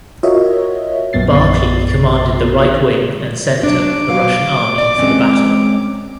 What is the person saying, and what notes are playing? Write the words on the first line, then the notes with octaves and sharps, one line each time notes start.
Barclay commanded the right wing and center of the Russian army for the battle.
F4 F#4 A#4 C#5 D#5 E5
A#1 F#2 A#2 B3 A6 C7
F#3 D4 D6
F#3 F5
D5
G#3 C4 C#4